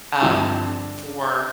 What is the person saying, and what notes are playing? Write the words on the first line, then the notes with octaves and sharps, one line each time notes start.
um, for
G2 D3 F3 C4 D4